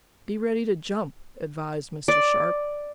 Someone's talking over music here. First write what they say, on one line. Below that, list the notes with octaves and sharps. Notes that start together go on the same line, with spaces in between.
"Be ready to jump," advised Mr. Sharp.
D5